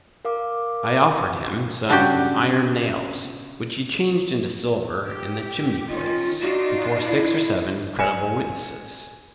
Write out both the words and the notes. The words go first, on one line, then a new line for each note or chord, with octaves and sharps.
I offered him some iron nails, which he changed into silver in the chimney-place before six or seven credible witnesses.
A#4 F5 D6
C#3 D4 F#4 G4 G5
G4
D#3 C#4 F4
D4 D#4 F4 F#4
E4
G#5 C#7 E7